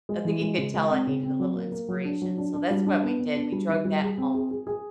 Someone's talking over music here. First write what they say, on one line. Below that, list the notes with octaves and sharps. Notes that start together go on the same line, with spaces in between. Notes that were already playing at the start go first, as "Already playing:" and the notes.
I think he could tell I needed a little inspiration. So that's what we did. We drugged that home.
G#3
E3
G#3
C#3
G#3
C4
C#3
C4
F#3
A#3
A#3
F#3
D4
F#3
D4
D4
G3
D4
B3
B3
D4
G3
D#3
G3
G#4
C4
G#4
G#4
G#4